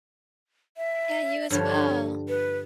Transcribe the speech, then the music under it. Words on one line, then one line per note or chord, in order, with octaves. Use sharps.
Yeah, you as well.
E5
G2 D3 F3 C#5
B4